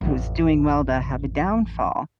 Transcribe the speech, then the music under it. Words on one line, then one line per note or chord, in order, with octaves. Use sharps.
who's doing well to have a downfall."
A1 F2